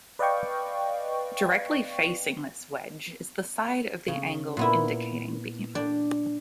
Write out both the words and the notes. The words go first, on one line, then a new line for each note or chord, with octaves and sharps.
Directly facing this wedge is the side of the angled indicating beam.
B4 D5 D#5 F5 G5 C#6
C#3
A#2 B3 E4
D4 D5 G5